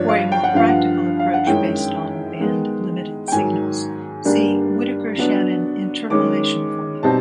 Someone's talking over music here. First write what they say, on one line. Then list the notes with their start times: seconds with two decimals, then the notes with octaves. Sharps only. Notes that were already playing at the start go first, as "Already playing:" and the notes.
For a more practical approach based on band-limited signals, see Whittaker-Shannon interpolation formula.
Already playing: G2 D3 F3 C#5 D5
0.09 F5
0.32 G5
0.44 F#5
0.54 G2 D3 F3 F5
0.69 F#5
1.19 F5
1.34 F#5
1.47 F#2 D#3 G#3 C#4 E4 G5
2.39 D#3 G#3 B3
3.28 G5
3.32 G#2 D#3 F#3 G#5
4.25 G2 D3 G3 A#3 D4
5.18 D3 F#3 B3 D4
6.10 D#3 G#3 C#4 D6
7.03 B2 G3 C4 D#4 A5